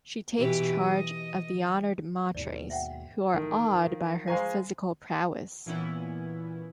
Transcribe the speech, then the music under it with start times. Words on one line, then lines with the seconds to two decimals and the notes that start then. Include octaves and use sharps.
She takes charge of the Honored Matres, who are awed by her physical prowess.
0.38 B2 E3 G4
0.76 D#5
2.35 D#2 G#2 B2 D5
2.70 E5 F#5 G5
3.34 A1 D#3 A3
3.75 F3
4.27 G#3 C5 F5 G#5 A#5 C#6
5.66 A#2 E3 B3 C#4 E4